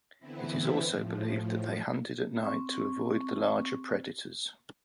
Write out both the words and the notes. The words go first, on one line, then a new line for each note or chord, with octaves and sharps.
It is also believed that they hunted at night, to avoid the larger predators.
D3 E3 B3 C4 E4
A2 F3
C4 C#6